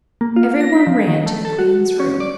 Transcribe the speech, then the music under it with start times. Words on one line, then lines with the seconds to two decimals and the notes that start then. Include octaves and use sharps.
Every one ran to the queen's room.
0.21 A#3
0.36 F4
0.60 A#6
0.73 B6
0.87 F3
1.07 D#3
1.26 A3
1.45 A4
1.59 F#4
2.00 C#4
2.20 D5